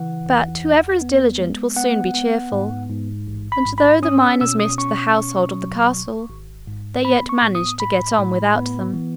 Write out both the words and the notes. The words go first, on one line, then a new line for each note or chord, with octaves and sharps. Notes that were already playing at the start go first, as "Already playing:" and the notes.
But whoever is diligent will soon be cheerful, and though the miners missed the household of the castle, they yet managed to get on without them.
Already playing: C#3 E3 F#5
E2
E2
B3
G#3
B3 F#5
B3
G#2
G#2
A1
B5
G#2
B5
C#4 D#6
E6
B2 E6
D#6
C#4 C#6
B2
F#3
G#1
G#1
G#2
B3 B5
C#6
A2
D#6
A2 B5
A2
B3
E3